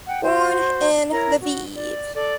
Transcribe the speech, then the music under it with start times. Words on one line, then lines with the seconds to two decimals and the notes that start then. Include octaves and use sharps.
Born in Lviv.
0.07 F#5 G5
0.23 F#4 C5
1.12 E4 A#4 C#5 A#5
1.41 F#4
1.75 D5
2.14 A4 D5